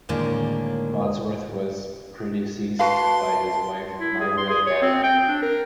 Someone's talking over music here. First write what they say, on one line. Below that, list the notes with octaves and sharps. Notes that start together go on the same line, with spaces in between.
Bodsworth was predeceased by his wife Margaret Banner.
D#2 A2 D3 G#3 A#3
F#4 B4 F5 A5 C6
E4
G#4
C6
G#4
C#5
C4
G5
D4
A#4